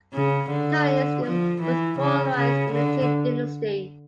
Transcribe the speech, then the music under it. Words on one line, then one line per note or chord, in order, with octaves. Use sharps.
Taoism was polarized in the Jin dynasty.
C#3
D3
F3
E3
C#3
C#3
D3